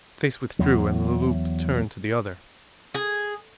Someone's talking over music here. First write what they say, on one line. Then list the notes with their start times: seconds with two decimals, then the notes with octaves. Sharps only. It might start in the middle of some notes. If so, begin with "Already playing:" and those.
The face withdrew and Le Loup turned to the other.
0.59 E2 F#3
2.94 G#4